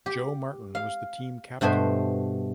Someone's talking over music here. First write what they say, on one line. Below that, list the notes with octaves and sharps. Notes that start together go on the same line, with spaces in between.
Joe Martin was the team captain.
G4
F5
G2 B2 A3 C5 G#5